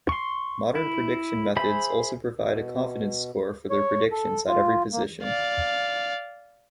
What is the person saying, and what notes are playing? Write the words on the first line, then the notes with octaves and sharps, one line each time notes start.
Modern prediction methods also provide a confidence score for their predictions at every position.
C6 C#6
E4
G#4 C5 E5 B5 D#6
B2
C#5
A4
F4
A#3
D5 F5